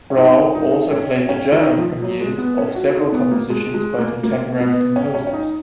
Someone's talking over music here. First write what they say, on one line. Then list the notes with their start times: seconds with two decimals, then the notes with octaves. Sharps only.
Rauh also played the German premieres of several compositions by contemporary composers.
0.10 C#4
0.18 D#4
0.55 D#4
0.91 C#4
1.29 C#4
1.52 D#3
1.78 F3
2.02 F#3
2.21 G#3
2.38 B3
2.58 C#4
2.75 F#4
2.95 D#4
3.12 B3
3.31 A#3
3.50 G#3
3.74 G#3
3.98 A#3
4.23 A#3
4.60 B3
4.96 C#4
5.15 C#4
5.27 C#4
5.33 D#4